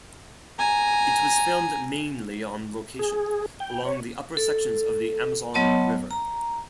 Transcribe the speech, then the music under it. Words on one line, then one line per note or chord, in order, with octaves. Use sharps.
It was filmed mainly on location, along the upper sections of the Amazon River.
G#5 A#5
G#4
G5
C#5
A4
F#3 B3 C#5 D#5 A5 C6
A#5